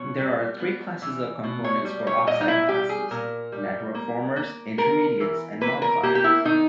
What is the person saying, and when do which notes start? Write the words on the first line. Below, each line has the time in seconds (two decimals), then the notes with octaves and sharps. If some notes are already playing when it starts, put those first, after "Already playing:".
There are three classes of components for oxide glasses: network formers, intermediates, and modifiers.
Already playing: B2 C#5
0.19 G3
0.60 B3
1.02 E3
1.44 B2
1.64 C#5
1.85 G3
2.07 C#5
2.27 A#2 D#5
2.41 D#4
2.48 E4
2.68 G3 G4
2.89 G#4
3.11 A#2 A#4
3.52 G3
3.95 A#3
4.36 A#3
4.78 B3 A#4
5.20 E3
5.61 A#3 B4
5.82 A#4
6.03 A#3 G4
6.15 G4
6.24 E4
6.45 D#3 D#4